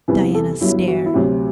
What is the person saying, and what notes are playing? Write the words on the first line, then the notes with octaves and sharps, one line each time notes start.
Diana stared.
E2 C3 E3 G3 B4
A4
G1 G2 F#3 E4
F#4
E4
D2 C3 F#3 F#4